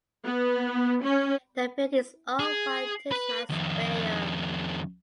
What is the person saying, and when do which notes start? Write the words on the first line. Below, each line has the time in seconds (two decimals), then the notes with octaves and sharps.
The building is owned by Tishman Speyer.
0.25 B3
1.04 C#4
2.39 G#4
3.11 B4 B5
3.50 F2 D#3